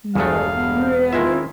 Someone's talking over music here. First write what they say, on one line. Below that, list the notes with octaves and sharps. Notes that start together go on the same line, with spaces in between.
'No, really?
E1 G2 A3 G#4 F5 D#6 F#6
B3
D#3 G#3 E4 F4 E5